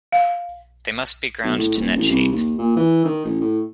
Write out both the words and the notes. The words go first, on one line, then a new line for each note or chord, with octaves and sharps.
They must be ground to net shape.
F5
B1
A2
D#1
A1
C2
D#2
A#2
E3
D#3
A1
A2